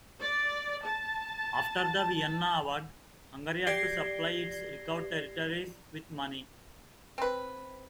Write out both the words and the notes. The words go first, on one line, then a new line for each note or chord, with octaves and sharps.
After the Vienna Award, Hungary had to supply its recovered territories with money.
D5
A5
G4 D5 G#6 A#6 C7 G7
C4 B4